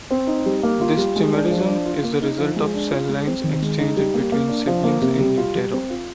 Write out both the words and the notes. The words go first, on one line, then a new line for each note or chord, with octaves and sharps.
This chimerism is the result of cell lines exchanged between siblings in utero.
C4
D#4
G3
A#3
F4
G3
G#3
D4
F3
D4
F4
A#3
D#4
F3
G#3
D4
F4
G#3
C4
D#3
G#3
D#4
G3
A#3
A#3
D4
F3
A#3
C3
G3
F4
G3
C4
F4